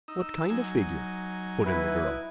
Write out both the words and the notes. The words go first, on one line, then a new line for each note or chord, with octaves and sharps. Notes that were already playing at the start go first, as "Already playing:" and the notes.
"What kind of figure?" put in the girl.
D#4 E6
F#3 D#4 G#5
E4 B4